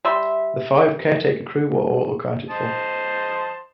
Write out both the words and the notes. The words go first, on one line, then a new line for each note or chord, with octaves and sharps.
The five caretaker crew were all accounted for.
G3 E5 C6
C5 D#5 A5